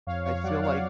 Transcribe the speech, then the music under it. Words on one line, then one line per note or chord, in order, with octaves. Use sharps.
I feel like
F2 C#5 F5
F2 C#5 F5
F#3 D5 F#5
F2 C#5 F5